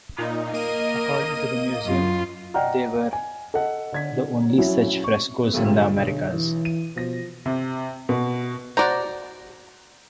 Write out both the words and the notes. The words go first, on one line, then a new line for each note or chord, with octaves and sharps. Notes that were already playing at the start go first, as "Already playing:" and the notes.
According to the museum, they were the only such frescoes in the Americas.
A#2 D#4
A#3 A#4 D#5 D#7
F#2 F4
D5 D#5 F#5 G5 A#5 F6
G#5
A4 D#5 F#5
D3 G#6 B6
F#3 C#4 E4
C#6
A#2 D3 G3 A3
B1
E3
D#7
B2 F3 A#6
C3
B2
F#4 C5 D5 A#5